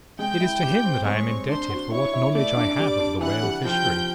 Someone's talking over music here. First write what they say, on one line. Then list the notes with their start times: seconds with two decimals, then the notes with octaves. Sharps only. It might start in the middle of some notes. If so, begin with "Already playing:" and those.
It is to him that I am indebted for what knowledge I have of the whale fishery.
0.19 G#3 G5 G6
0.40 E4
0.62 G4
0.84 C4
1.05 G#3 C#5 C#6
1.27 C4
1.48 D4 C5 C6
1.70 F#4
1.92 E4 C#5 C#6
2.13 E4
2.35 A3 D5 D6
2.56 D4
2.79 G3
3.00 D4
3.21 E3 F#5 F#6
3.42 G3
3.65 F3 G5 G6
3.86 F3